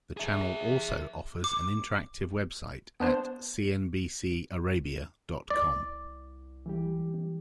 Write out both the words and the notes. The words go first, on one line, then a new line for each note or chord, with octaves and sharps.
The channel also offers an interactive website at cnbcarabia dot com.
G#4 E5
D6
B3 D4 C5
C2 D5
E3 G3 G4